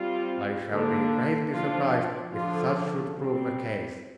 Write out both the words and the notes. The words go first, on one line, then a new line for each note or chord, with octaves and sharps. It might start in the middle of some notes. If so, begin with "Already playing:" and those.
I shall be greatly surprised if such should prove the case.
Already playing: G3 C4 F4
D3 A#3 D4
F3 D4 F4
D3 F3 D4 F4
G3 C4